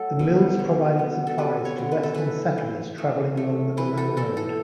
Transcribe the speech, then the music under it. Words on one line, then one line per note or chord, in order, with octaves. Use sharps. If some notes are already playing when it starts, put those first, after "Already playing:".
The mills provided supplies to western settlers traveling along the Mullan Road.
Already playing: F#3 A3 A4
B2
D3
B3
A4
G3 B4
C#5
D3
B4
A4
E3 B4
E3
A3
A3
E3 B4
A4
E3 A4
A4